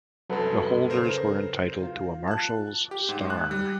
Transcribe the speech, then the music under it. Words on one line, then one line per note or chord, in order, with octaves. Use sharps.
The holders were entitled to a marshal's star.
C2 F#2 F#3 A4 B4
C#3 A#4 C5
F4
A5 F#6
G4
G#2
F#6
G3